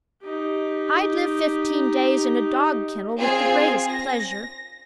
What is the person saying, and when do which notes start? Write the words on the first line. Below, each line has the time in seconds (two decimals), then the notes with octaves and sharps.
I'd live fifteen days in a dog-kennel with the greatest pleasure.
0.22 D#4 G4
3.20 C4 F4 G#4 C5 G#5
3.88 A#6